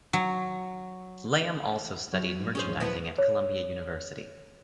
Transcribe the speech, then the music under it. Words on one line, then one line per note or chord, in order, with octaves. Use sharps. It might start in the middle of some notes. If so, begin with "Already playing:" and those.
Lamb also studied merchandising at Columbia University.
F#3
F#3 F#4
B6
G#2 G#3
C#4 G#4 C5
A#1 C#5 C7
F3 B3 E4 C5 A5
C#5